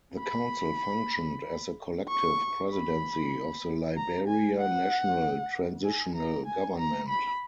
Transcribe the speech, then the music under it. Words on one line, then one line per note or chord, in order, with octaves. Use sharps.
The council functioned as a collective presidency of the Liberia National Transitional Government.
B5
C#6
B5
A#5
G#5
F#5
G#5
A#5
G#5
A#5
B5